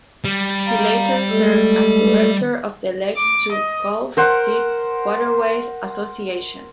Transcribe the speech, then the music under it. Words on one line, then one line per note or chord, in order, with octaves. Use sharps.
He later served as director of the Lakes to Gulf Deep Waterways Association.
G3
F5 A#5
G#3 A3 A4
D6
D#5
A#4 C5 F#5